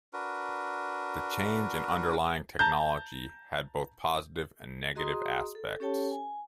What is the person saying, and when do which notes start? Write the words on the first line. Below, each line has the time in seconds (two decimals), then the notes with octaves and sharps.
The change in underlying technology had both positive and negative aspects.
0.13 D4 F#4 A#4 B4
2.59 A5 A#5 G6
4.95 F#4 G#4 D#5 A#5 C6 D#6
5.55 A4
5.80 C#4 G4 A4 C#5 G5 A5
6.11 G#5